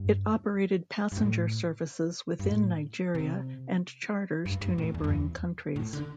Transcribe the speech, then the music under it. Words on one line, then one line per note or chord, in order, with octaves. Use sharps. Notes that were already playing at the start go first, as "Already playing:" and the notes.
It operated passenger services within Nigeria and charters to neighbouring countries.
Already playing: G2
G2
A2
G2
A2
C3
G2
G2
A2
E2
G2
E2
A2
D3